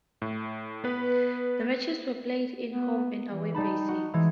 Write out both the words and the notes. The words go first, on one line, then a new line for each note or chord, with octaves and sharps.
The matches were played in a home-and-away basis.
A2
B3 B4
B3
E3
G3 D#4 A5 B5
F#4
E3 G#3 G#6